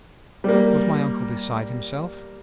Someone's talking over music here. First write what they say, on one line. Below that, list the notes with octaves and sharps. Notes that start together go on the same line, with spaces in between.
Was my uncle beside himself?
G3 A#3